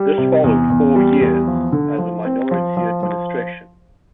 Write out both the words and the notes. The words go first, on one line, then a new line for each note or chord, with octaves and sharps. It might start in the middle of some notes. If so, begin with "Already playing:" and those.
This followed four years as a minority administration.
Already playing: G3
C3
E2
E2
G3
E2
F3
D3
F3
C4
F3
F3
F3